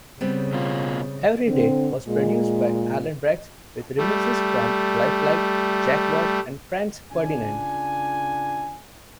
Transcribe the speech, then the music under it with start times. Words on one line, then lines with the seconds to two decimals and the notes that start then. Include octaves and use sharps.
"Everyday" was produced by Alan Braxe with remixes from LifeLike, Jakwob, and Franz Ferdinand.
0.21 C#3 G3 B3 C4
0.53 B2 F4
1.46 D3 C4
2.08 A#2 G#3
3.98 G3 A3
7.12 C#3 D4 F4 G#5